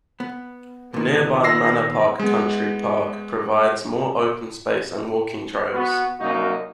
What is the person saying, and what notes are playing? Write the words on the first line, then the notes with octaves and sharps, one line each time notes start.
Nearby Manor Park Country Park provides more open space and walking trails.
B3
A#2 D#3 B3
E6 A#6 C7
G#3 B3
B3 F#4
C2 F#2 A#3 D#4 F#4 A#4